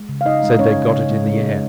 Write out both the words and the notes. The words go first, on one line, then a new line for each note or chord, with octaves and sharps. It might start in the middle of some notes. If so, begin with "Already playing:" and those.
Said they got it in the air.
Already playing: G#3
C#3
F5
C#3 D#4 D#5
G#3
G#3 C#4 C#5
C#3
C#3
G#3
G#3
C#3